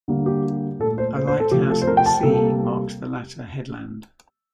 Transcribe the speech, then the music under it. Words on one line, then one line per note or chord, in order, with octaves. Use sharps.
A lighthouse in the sea marks the latter headland.
D3 G3 A#3
G4
A#2 A3 A4
C5
C5
C5
A4
C3 F3 A3 G4
A4
C5
A#4
G5
A5
C3 G3 A#3 A4